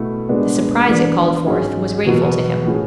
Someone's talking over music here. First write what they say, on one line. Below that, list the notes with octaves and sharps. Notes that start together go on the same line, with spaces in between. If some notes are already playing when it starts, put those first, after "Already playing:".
The surprise it called forth was grateful to him.
Already playing: B2 A3 E4
B2 G#3 B3 D4
E3 B3 D4
G#2 F#3 C#4 G#4
E2 B2 F#3 B3
A2 F#3 C#4 G#4